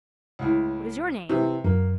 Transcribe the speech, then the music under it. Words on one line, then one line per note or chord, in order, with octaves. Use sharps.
"What is your name?"
C#2 A2
C3 E3
F#2 A#3